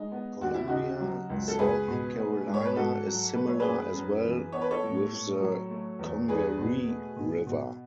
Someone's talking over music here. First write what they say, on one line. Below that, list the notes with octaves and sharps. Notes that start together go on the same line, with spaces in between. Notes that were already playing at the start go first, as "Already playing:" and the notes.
Columbia, South Carolina is similar as well with the Congaree River.
Already playing: G#3 D#4
B3
D#2 F#4
E4
C#3 D#4 F#4
F#3
C#2
A4
C#2 G#4 B4
B2
A3
G#2
C#5
B4
G#2 F#4 A4
F#3
A3 B4
C#5
F#2 G#4 B4
F#2
E3
B3 C#5
B4
A4 C#5
A2
A2
F#3
A3
E2
E2 G#4 B4
B2
A3
B2
B2